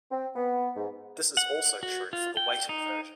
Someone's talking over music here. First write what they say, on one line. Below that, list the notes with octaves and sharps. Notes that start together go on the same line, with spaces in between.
This is also true for the weighted version.
C4
B3
G#2
F#5
F#4
F4
G5
D#4